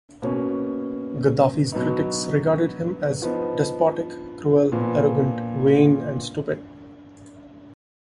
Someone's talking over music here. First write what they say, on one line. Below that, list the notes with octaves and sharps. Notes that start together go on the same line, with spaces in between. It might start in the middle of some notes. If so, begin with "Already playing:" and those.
Gaddafi's critics regarded him as "despotic, cruel, arrogant, vain and stupid".
B2 A#3 C#4
B2 F#3 B3 D#4
F3 B3 D#4
A#2 F3 B3